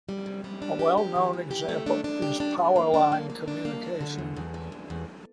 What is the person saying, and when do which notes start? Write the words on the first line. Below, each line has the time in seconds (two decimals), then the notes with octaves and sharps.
A well-known example is power line communication.
0.09 G3
0.26 C3
0.44 G3
0.62 D4
0.79 G4
0.97 G4
1.16 E3
1.33 E3
1.51 G4
1.69 A3
1.86 D4
2.04 D4
2.22 G4
2.40 D4
2.58 D4
2.76 A#3
2.94 D4
3.12 A#3
3.30 A#3
3.48 D4
3.65 A#3
3.83 D4
4.01 D3
4.18 E2
4.36 E2
4.54 D3
4.72 E2
4.90 E2